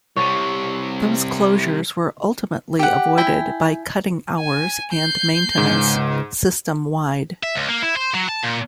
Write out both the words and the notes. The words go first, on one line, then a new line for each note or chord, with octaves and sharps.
Those closures were ultimately avoided by cutting hours and maintenance system-wide.
C2 C3 C#5 A5
G4 F#5
E4 G5 G#5
G#5
G6 C7
C#2 G#2
E5
C#2
A#3
E4
C5
F#3
A5
A#2